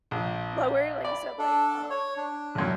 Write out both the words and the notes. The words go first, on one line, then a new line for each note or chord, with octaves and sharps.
lower, like you said, like, um,
A#1
D5 B5
D4 A4
C#5
D4
A1 F#2